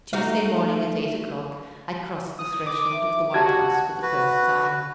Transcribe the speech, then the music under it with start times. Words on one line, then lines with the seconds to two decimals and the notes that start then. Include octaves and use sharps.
Tuesday morning, at eight o'clock, I crossed the threshold of the White House for the first time.
0.13 A3 D#4 F#4 F5
2.39 D#6
2.67 D6
2.93 E5
3.34 F#4 G4 A5 G#6
4.02 F#4 B4